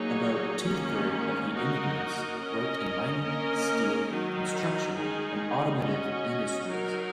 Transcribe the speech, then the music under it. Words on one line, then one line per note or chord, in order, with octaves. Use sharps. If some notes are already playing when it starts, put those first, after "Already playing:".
About two-third of the immigrants worked in mining, steel, construction, and automotive industries.
Already playing: F#3 A#3 D#4 G#4 C#5
D#3 A#3 C#4
A#3 D#4 F#4 A#4 D#5
C#4 A#4 D#5
A#3 C#4 A#4 D#5
D#3 F#3 D#4
D#3 G#3 D#4 G#4
C#4 F#4 D#5
F#3 D#4 A#4